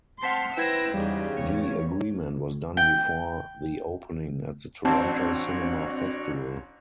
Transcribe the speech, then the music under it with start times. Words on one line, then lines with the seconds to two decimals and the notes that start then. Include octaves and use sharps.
The agreement was done before the opening at the Toronto Cinema Festival.
0.23 C4 F#5 A5 C6 F6 B6 C7
0.57 E4 B4 C5 G5 E6 G#6 A#6
0.94 E2 G#2 C#3 G3 G4
1.37 E2 C#5
2.77 G5
4.85 A1 C4 D4 F#4 C#5 A5